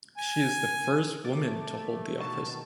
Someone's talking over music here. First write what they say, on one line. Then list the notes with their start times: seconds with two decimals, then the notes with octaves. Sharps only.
She is the first woman to hold the office.
0.18 G#5
1.25 A3 D6 A6
2.17 B2 D#3 A5 C#6